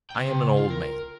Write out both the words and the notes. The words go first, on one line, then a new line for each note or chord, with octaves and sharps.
I am an old man.
C#3 G5
F4
A#4